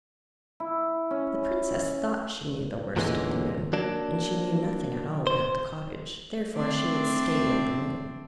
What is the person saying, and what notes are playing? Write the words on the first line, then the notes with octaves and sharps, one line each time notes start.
The princess thought she knew the worst of the moon, and she knew nothing at all about the cottage, therefore she would stay with the moon.
E4
C#4
E2 A#2 D3 E3 G#3 C#4
F#3 A#3 D4
C5
A3 C4 D4